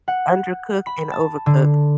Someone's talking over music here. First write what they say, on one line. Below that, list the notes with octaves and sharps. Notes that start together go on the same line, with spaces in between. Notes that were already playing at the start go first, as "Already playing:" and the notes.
undercook and overcook
F#5
B5
A5
D3